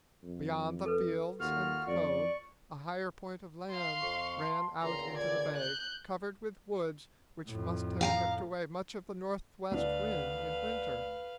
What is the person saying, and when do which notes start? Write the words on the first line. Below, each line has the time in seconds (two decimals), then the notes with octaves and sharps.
Beyond the fields and cove a higher point of land ran out into the bay, covered with woods which must have kept away much of the northwest wind in winter.
0.23 F2
0.86 A4 B4
1.40 D#2 F4 F#4 F6
1.87 F2 D5 C#6
3.70 F5 C6
4.02 F2 C#6
4.41 A5 C6
4.82 C#2 A#2 D3 A#5 C6
5.17 D5 G#6
5.56 F#6 G6
7.46 F2 A2
8.01 F5 G5 A#5
9.71 D2 D4 B4 F5